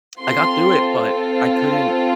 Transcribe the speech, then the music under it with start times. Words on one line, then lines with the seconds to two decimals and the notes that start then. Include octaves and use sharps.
I got through it, but I couldn't
0.20 C4 F4 A4 C6